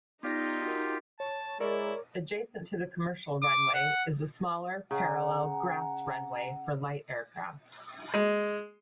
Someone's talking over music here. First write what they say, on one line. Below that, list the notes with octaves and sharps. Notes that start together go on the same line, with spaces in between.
Adjacent to the commercial runway is a smaller, parallel, grass runway for light aircraft.
B3 D#4 F4 G4 D5 A#6
F#4 A#4
C#5 A5
G#3 E4 A#4 C#5 D5
D6
F#5
C#3 F#5 G#5 A#5
G#3